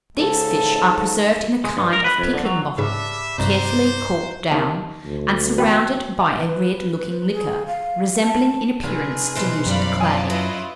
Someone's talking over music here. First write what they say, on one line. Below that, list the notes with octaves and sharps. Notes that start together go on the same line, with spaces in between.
These fish are preserved in a kind of pickling-bottle, carefully corked down, and surrounded by a red-looking liquor, resembling in appearance diluted clay.
G#2 C#3 A4 A5
G#3
G2
A#4
B4
F2
D3
F#3
G#2 C#3 G3 D4 B4 E5
G2 C3 D#4 F#4 C5 D5
D#2 D#3 A5
D2
E2 B3 F#4 B4 G5 D6
B4
G#4
F5
A5
F1 G#4
B2 E3 C5
F#2 G3 D5 F5 B5
F4 D5 G#5 A5 D#6
F#3 E4 F4 B4 D#5